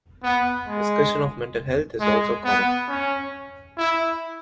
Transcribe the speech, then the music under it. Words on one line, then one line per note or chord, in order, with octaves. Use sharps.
Discussion of mental health is also common.
B3
G#3
G#3
B3
C#4
E4